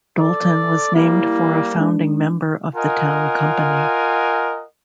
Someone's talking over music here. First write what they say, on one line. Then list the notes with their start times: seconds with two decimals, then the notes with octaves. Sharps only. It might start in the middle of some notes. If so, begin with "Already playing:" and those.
Dolton was named for a founding member of the town company.
0.19 A4 D5
0.96 G3 A#3 E4
1.76 G#3 D4
2.76 F4 A#4 D#5 F#5 G#5